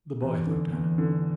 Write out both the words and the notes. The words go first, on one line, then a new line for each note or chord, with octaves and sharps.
The boy looked at him.
E2
D3
E2
D3